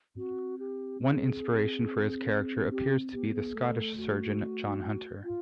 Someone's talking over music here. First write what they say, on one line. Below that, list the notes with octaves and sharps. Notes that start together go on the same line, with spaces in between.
One inspiration for his character appears to be the Scottish surgeon John Hunter.
C4 F#4
G4
G#4
C4 G4
B3 G4
G4
G#4
A3 A4
F#4
F4